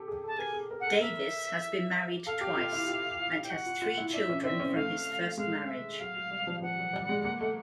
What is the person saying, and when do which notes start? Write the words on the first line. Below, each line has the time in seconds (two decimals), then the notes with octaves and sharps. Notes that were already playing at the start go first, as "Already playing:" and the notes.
Davis has been married twice and has three children from his first marriage.
Already playing: G4 A4
0.08 G#4
0.24 A4 A5
0.39 A#4 G#5
0.54 G#4
0.71 A#4
0.80 F#5
0.86 A4
1.01 A#4 E5
2.26 A4 F5
2.41 G4
2.57 F4
2.72 E4
2.88 F4
3.44 G5
3.50 F#4 F#5
3.66 F4
3.82 F4
3.98 E4
4.13 D4 E5
4.29 C#4
4.44 C4 E5
4.60 C#4
4.75 A3 F5
5.38 G#3 F5
5.69 E5
6.00 F#3 F5
6.16 F#3
6.31 G3
6.47 F3
6.62 F3 F#5
6.78 F#3
6.93 G3
7.09 G#3
7.24 A#3
7.41 A3